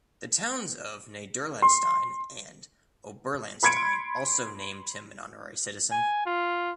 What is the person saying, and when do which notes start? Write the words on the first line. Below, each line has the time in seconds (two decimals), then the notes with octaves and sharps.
The towns of Niederlahnstein and Oberlahnstein also named him an honorary citizen.
1.62 C6
3.63 B5 C6 G#6 C#7 D7
5.91 G#5
6.26 F4